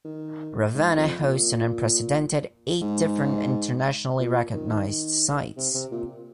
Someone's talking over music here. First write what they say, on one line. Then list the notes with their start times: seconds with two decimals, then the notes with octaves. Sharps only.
Ravenna hosts an unprecedented eight different internationally recognized sites.
0.05 D#3
0.74 G#2
0.97 F2
1.20 A#2
2.81 G#2
4.19 A#2
4.54 D#3
5.57 C3
5.74 C3
5.92 A#2